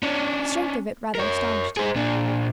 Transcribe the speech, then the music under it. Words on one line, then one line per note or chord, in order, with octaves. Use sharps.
The strength of it rather astonished him.
C#4 D4
A#4 C#5
G#4 C5
A#2 D4